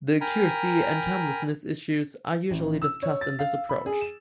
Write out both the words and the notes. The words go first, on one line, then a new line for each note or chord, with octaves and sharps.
The accuracy and timelessness issues are usually discussed in this approach.
A#4 G5 G#5 A#5 B5
A1
E6
C#5
A6
F5
B5
G#4
E7